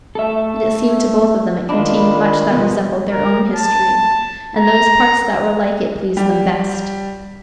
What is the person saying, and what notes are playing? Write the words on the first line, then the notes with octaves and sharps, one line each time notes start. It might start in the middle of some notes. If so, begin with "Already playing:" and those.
And it seemed to both of them it contained much that resembled their own history; and those parts that were like it pleased them best.
A3 A4 E5
D#3 D4 D#4 F4 B5
B2 F3 B3
A#4
A5
A#5
G3